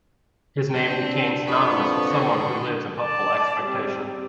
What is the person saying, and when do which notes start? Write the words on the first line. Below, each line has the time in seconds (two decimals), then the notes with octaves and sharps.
His name has become synonymous with someone who lives in hopeful expectation.
0.76 C4 D4
1.48 F2 B3 B4 F#5 C#6
2.11 D3
2.98 D5 A5
3.63 G3 C4